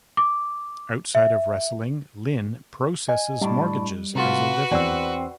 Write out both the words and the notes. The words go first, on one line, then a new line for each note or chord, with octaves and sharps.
Outside of wrestling Lynn processes mortgages as a living.
D6
E5
D#5 G#5
A2 G3 D4
C3 A3 F4 F#4 B4
E2 C4 D5 E6